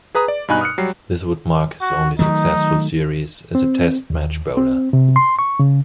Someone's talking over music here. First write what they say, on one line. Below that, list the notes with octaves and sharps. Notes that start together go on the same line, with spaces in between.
This would mark his only successful series as a Test Match bowler.
G#4 B4 A#5 D#6
D5
G2 B2 D#4 G#5 B5 F#6
D#6 F6 F#6 C#7
F#3 G3 C7
F#4
D#3 F#3 A3 D#4
C4
D#2
C4
C3
C6
C#6
C#3